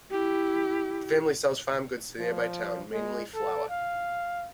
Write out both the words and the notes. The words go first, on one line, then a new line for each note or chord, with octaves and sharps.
The family sells farm goods to the nearby town, mainly flour.
E4 G4
F3
G#3
A4
F5